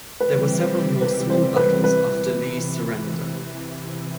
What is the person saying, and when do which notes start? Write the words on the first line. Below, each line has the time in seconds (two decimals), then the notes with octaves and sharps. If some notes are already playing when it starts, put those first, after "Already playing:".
There were several more small battles after Lee's surrender.
0.20 C3 E3 G3 C4 G4 B4
0.61 C5
1.02 B4
1.30 C5
1.56 B4
1.84 C3 E3 B4